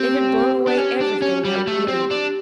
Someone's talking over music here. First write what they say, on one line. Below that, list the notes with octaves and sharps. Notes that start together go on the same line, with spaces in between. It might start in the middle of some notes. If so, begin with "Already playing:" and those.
It had blown away everything that would move.
Already playing: C4 G4
D4
C#4
D4
C#4
G3
F#4
A3 G4
C4
D4